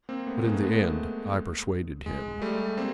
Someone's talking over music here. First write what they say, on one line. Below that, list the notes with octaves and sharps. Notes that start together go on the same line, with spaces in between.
But in the end I persuaded him.
A#3 C4
A3 B3
A3
G#3 A#3
A3 B3
G#3
G3 A3
A#3 C4